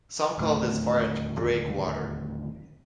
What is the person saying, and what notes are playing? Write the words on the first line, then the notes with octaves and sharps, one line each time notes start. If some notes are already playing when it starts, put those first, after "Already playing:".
Some call this variant "Breakwater".
D#1 D2 A2 D#3